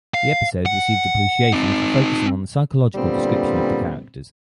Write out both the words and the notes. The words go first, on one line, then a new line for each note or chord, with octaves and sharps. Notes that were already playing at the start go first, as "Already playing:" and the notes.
The episode received appreciation for focusing on the psychological description of the characters.
F5
F#5
C4 D#4
A#2 D3 G3 B3 C4